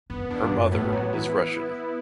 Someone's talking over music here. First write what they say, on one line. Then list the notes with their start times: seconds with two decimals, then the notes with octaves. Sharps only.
Her mother is Russian.
0.10 F#2 B3
0.30 E2 D4
0.42 G2
0.51 F#2 E3
0.71 A2 B3
0.83 E3
0.92 F#3 B3
1.13 E3 E4